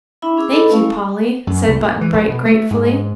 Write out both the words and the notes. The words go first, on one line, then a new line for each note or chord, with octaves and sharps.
"Thank you, Polly," said Button-Bright gratefully.
D4 E4 E5 B5
C#4 G#4 D6 E6
A4 B4 D#5 B5
A3 C#4 E4 F5 A5 C#6
G#3
F#2
C2
A#2
E3
A#1
B2
A3
G#2